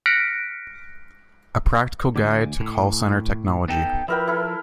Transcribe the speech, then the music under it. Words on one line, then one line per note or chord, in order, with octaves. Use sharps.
A Practical Guide to Call Center Technology.
F6 F#6 A#6 B6 C#7 D7
D2 G#5 D6
A2
B3 D#4 A4 G5
F3 E4 A#4 B4 G5
E4 A4 A#4